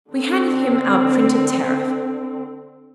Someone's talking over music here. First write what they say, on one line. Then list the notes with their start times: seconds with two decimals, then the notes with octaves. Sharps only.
We handed him our printed tariff.
0.10 D3 C4